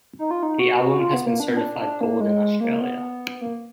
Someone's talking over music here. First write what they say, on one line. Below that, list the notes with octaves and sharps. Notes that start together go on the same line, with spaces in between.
The album has been certified gold in Australia.
D#4
F4
D#4
F#4
F#4
F4
B3
A#3
D4
B3
D4
D4
A#3
G#3
A#3
B3
A#3